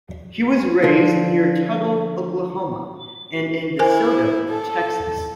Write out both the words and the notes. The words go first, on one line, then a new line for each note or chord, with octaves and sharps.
He was raised near Tuttle, Oklahoma, and in DeSoto, Texas.
D3 F3
E4 A#4 C5 G#5
A4